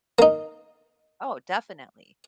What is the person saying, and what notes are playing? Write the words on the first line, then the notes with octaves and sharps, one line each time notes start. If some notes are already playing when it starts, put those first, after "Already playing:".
Oh, definitely.
A#3 D#4